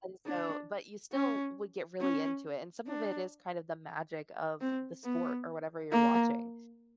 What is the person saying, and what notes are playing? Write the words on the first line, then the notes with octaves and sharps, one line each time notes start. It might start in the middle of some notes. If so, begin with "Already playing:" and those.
and so but you still would get really into it, and some of it is kind of the magic of the sport or whatever you're watching,
D4
C#4
C#4
D4
C4
B3
A#3